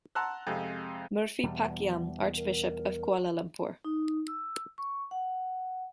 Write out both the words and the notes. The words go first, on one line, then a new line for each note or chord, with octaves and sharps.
Murphy Pakiam, Archbishop of Kuala Lumpur.
F#5 A5 A#5 C6 E6 F#6
F2 C3 G#3
E2 B2 G3
A#4
D#4
E6
C#6
F#5